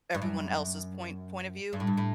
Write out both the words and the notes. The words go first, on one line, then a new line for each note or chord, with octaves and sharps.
everyone else's point point of view,
G2
F#2
G2
A2
G2
A2